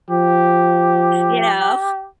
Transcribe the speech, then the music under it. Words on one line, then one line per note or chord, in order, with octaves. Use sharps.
You know?
F3 G4